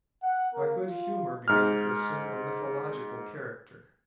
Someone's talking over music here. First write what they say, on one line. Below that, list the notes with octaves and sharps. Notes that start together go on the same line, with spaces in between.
My good humor began to assume a mythological character.
F#5
A#3
F4
G#2 F6